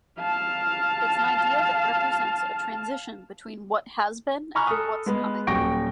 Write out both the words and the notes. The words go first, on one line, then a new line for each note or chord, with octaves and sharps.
It's an idea that represents a transition between what has been and what's coming.
F5 A5
G#5 A#5 B5 C#6 F6 F#6
A4 D#6
G#3 B3
D#1 F#3 G5 C#6 A#6 D7